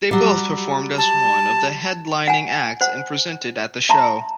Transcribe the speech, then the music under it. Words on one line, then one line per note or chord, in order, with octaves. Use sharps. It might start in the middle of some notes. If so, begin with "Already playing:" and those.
They both performed as one of the headlining acts and presented at the show.
F#3 G3
A5
F#5 G#5
C5 F#5
E5 A5 A#5 C6